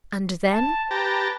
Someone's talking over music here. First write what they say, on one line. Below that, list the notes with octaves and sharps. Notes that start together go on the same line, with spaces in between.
"And then?"
A5
G4 B4 A5 A#5